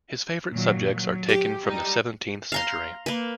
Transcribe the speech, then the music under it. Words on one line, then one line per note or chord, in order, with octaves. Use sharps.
His favorite subjects are taken from the seventeenth century.
A#2 D#3 F#3
F#3
G4
G3 D#4
F5 A#5 C6
A#3 B4